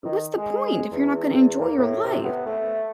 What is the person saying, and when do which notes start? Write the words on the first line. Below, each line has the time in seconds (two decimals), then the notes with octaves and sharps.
what's the point if you're not gonna enjoy your life?
0.05 D#3
0.38 G#3
0.92 E2
1.61 A#3
1.78 A2
2.04 C3
2.24 B3
2.46 A3